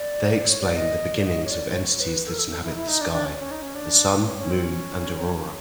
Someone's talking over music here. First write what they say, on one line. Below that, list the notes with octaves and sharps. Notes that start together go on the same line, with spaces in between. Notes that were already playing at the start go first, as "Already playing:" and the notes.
They explain the beginnings of entities that inhabit the sky-the sun, moon, and aurora.
Already playing: D5
C#5
D5
D#5
D5
D#5
C#5
D5
C5
C#5
B4
A4
A#4
A4
A4
E4
D#4
E4
D#4
D4
D4
C#4
C#4
D#4
C#4
D4
C#4
C#4
C4
C#4
C4
C#4